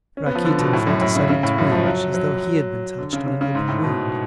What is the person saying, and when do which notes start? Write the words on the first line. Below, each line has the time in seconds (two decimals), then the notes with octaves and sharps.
Rakitin felt a sudden twinge as though he had been touched on an open wound.
0.17 C#4
0.26 B3
0.35 F3
0.45 D3
0.59 B2
0.73 A2
0.87 F#2
1.01 A2
1.15 C#3
1.29 C#3
1.43 A2
1.58 F#2
1.72 F3
1.86 F#3
2.14 F#3
2.98 D3
3.13 C#3
3.26 C#3
3.41 C#3
3.55 G#2
3.69 A2
3.84 B2